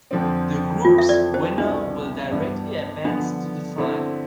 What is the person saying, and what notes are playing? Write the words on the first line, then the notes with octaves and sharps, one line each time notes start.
The groups winner will directly advance to the final.
F2 D3 F3 C4
F2 E3 A3 C4 F4
E5
D5
C5
C2 B2 B3 D4 E4
G2 E3 B3
D3 F3 B3 D4
D3 A3 C4 E4